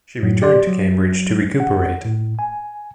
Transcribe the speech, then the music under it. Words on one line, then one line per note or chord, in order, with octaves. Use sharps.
She returned to Cambridge to recuperate.
F#2 A2 F#3
G4 D5 C6
F#3
F#5
A2
G#5